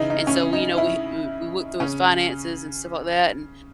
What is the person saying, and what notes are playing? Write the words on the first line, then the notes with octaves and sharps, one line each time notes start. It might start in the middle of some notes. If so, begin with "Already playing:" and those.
And so, we you know, we w we looked through his finances and stuff like that. And,
Already playing: C#3 E3 D#4 E4
D#4
C#4
D#4
E4
C#3 C#4